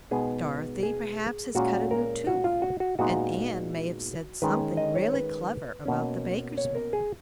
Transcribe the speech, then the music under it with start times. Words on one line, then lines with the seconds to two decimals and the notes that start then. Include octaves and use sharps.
Dorothy perhaps has cut a new tooth and Anne may have said something really clever about the baker's man.
0.11 B2 G#3 B3 D#4 G#4
0.83 G#4
1.55 A#2 G#3 C#4 F#4
1.91 A#4
2.27 F#4
2.44 F4
2.62 F#4
2.80 F#4
2.99 A#2 G#3 B3 D#4 F#4
4.42 D#3 G#3 C#4 B4
4.77 D#5
4.95 C#5
5.14 B4
5.86 B2 A#3 C#4
6.57 C#5
6.75 A#4
6.93 G#4